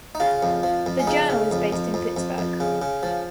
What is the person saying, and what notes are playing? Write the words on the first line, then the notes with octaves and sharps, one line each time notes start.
The journal is based in Pittsburgh.
D#4
C#3 F4
F2
F3
F2
C#4
C#3 D#4
C#3
F2
F2
F2
F2
F2
C#3
C#3
F3